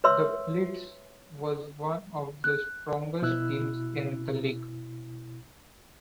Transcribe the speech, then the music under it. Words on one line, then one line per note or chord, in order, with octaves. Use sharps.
The Blitz was one of the strongest teams in the league.
B4 C#5 E5 C6 E6
F#6
B2 E4 E6 F#6